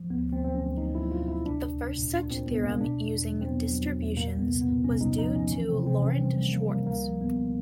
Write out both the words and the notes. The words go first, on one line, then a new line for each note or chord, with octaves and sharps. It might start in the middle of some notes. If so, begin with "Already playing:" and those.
The first such theorem using distributions was due to Laurent Schwartz.
Already playing: F3
D2 B3
D2
C4
F#3 C4
C#4
D2
D2 D#4
F#3 E4
D2 F4
D2 E4
C2 D4
A#2
C2
A#2
A#2 D4
A#2 C4
C2 B3
C2 A#3
B2 D4
E2
E2
F#3
C4
E2 B3
F#3
F#3
E2
A#2 A#3
C2
B3
C2
B3
A#2
C2 C#4
C2 D#4
F3 D#4
F3 C#4
E3 C#4
C3 C4
C3 C4
E3 C#4
G3 C4
G3 A#3
G3 A#3
G3 A#3
C#2 A#3
F3
C#2 B3